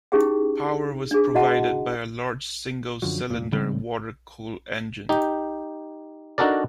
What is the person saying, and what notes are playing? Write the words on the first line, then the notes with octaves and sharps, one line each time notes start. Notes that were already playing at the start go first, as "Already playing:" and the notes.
Power was provided by a large single-cylinder water-cooled engine.
C#4 D#4 E4 G4 G#4 G5
D4 G#4
E4 F#4 D#5 F#5 A5 A#5
F#2 D3 F3 F#3
F1 A#2
A1 C#3 G3 C4
D#4 G4
D4 D#4 F#4 A4 A#4 D5